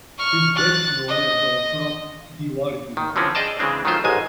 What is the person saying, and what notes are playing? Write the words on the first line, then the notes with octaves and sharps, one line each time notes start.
He is best known as the author of "The War Game".
C#6 F6
F#6 A6
D#5
D#3
D3 E3 F3 C4 C#4
G#4 D5 D#5 G5 A5
C#3 E3 G#3 C4 D4
D#3 F#3 A3 F4 C5
A1 G#2 G#3 G#5